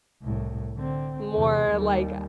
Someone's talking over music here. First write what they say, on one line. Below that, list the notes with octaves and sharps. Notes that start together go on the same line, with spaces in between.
more like a
C2 A2
D3 C4
E2 C3
D#2 G3